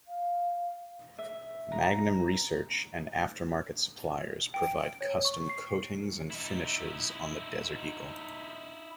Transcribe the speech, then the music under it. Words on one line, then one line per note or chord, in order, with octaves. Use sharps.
Magnum Research and aftermarket suppliers provide custom coatings and finishes on the Desert Eagle.
F5
E5
A#5
G5
D7
C#5
C#6
C7
D#4 E4